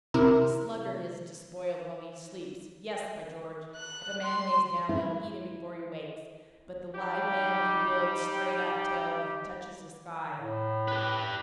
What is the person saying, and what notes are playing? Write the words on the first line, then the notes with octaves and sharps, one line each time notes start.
The sluggard is despoiled while he sleeps--yes, by George! if a man lays down they'll eat him before he wakes!--but the live man can build straight up till he touches the sky!
C3 E4 A#4
F#6
C6
E4
G3 D#4 G4
A2
G4 B4